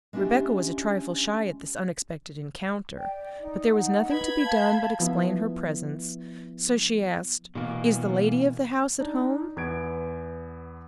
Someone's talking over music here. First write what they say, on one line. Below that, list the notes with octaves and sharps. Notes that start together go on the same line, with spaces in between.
Rebecca was a trifle shy at this unexpected encounter, but there was nothing to be done but explain her presence, so she asked, "Is the lady of the house at home?"
G#3 C#4 D4 E4 F#4 G4
D5 G5
D#4
F#5
B4 B5 G#6
F5 A5
F3 B3 E4
B2 E3 A#3
D4 D#4 D5
E2 B3 G#6 D7